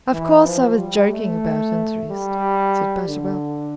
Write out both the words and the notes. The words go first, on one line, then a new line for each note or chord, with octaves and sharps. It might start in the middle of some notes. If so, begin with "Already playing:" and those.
"Of course I was joking about interest," said Butterwell.
E3
F3
G3
A3
G3
D3